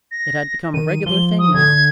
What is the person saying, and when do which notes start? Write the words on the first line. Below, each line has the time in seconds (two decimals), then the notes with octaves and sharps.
It had become a regular thing now.
0.11 A#6
0.74 D#3 D#7
1.06 F3 G7
1.39 D#6
1.54 D3 G#6